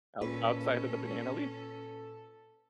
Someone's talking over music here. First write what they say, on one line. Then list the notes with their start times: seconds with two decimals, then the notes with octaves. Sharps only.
Out outside of the banana leaf?
0.21 A#2 C#4 A4 B4